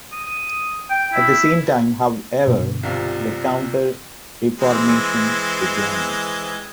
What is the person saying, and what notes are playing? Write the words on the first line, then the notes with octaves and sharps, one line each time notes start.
At the same time, however, the Counter-Reformation began.
D#6
G5
E4
G2 B2 D3
C2 C3 F4
E3 G#3 C4